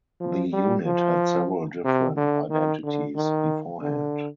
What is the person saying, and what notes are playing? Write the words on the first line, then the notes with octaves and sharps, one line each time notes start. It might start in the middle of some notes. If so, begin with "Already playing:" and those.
The unit had several different identities beforehand.
F3
G3
F3
C3
D3
D#3
D3
D#3
D3